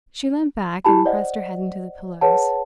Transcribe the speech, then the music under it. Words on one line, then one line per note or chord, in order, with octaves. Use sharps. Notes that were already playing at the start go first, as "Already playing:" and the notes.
She leant back and pressed her head into the pillows.
E4 G4 G#5 A5 B5
C5 D5 D#5 F#5
G#4 B4 C#5 F#5 A5